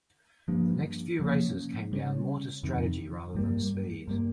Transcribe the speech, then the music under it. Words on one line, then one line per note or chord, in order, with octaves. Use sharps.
The next few races came down more to strategy rather than speed.
G2 F3 A#3
C3 F3 A#3 C#4
C#3 G3 A#3 C#4
F2 C3 D#3
G2 G3 A#3
G2 G3 A#3